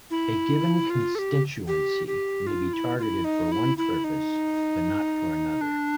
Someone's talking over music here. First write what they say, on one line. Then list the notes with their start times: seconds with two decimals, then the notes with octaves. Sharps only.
A given constituency may be targeted for one purpose, but not for another.
0.11 E4
0.90 F4
1.15 A4
1.19 G4
1.67 G4
2.07 G4
2.47 F4
2.73 E4
2.98 F4
3.03 E4
3.24 D#4
3.52 E4
3.77 E4
4.04 D#4
5.61 D4